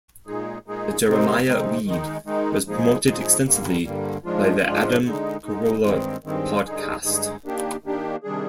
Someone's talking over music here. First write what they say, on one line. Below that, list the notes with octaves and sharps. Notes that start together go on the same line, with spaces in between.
Jeremiah Weed was promoted extensively by The Adam Carolla Podcast.
A#2 G#3 D#4 G#4
A#2 G#3 D#4 G#4
C3 D#3 G#3 C4 D#4
C3 D#3 G#3 C4 D#4
D#3 G#3 D#4
D#3 G#3 D#4
A#2 F3 G#3 D#4 G#4
A#2 F3 G#3 D#4 G#4
G2 D3 G3 A#3
G2 D3 G3 A#3
G#2 F3 G#3 D4 F4
G#2 F3 G#3 D4 F4
D3 G#3 D#4
D3 G#3 D#4
G2 D#3 G#3 C4
G2 D#3 G#3 C4
G2 D3 G#3 D#4 G#4
G2 D3 G#3 D#4 G#4
D#3 A#3 D4 G4
D#3 A#3 D4 G4
C3 D#3 G3 D4 G#4